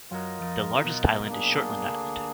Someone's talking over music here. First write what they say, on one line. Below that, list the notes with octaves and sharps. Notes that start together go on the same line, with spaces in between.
The largest island is Shortland Island.
F#2 F#3 F4 A#4 D#5
F2 F3
D3
B1 B2
A#3 D4 G#4
B1 B2
D2 D3